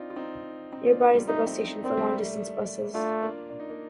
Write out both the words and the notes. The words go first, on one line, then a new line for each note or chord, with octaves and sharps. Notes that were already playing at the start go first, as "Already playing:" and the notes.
Nearby is the bus station for long-distance buses.
Already playing: C4 D4 D#4 F4
F4
C4 D#4
C4 D#4
D4 F4
A#3 D4
G3 A#3
A3 D#4
C4 D#4
C4 D#4
A#3 C4 D4
G3 A#3
A3
A3
A3 D4 F4
A#3 D4
D4
D#4
A#3 D4